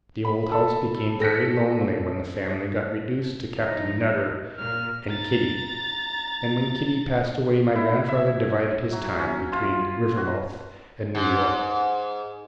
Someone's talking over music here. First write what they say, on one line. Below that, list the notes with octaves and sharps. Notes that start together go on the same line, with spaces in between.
The old house became very lonely when the family got reduced to Captain Nutter and Kitty; and when Kitty passed away, my grandfather divided his time between Rivermouth and New York.
B5
A4
A4 A#6 B6 C#7
F3 D#4
A#2 F6
A#5 A6
E4
E5
F#3
C#4
F4
F#4
G#2